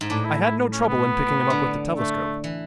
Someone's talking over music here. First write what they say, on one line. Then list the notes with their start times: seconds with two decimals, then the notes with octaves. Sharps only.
I had no trouble in picking him up with the telescope.
0.01 G#2
0.10 A2 D4
0.25 E4
0.41 E4
0.73 C#4
0.88 B3
1.50 D3
1.97 A3
2.44 E3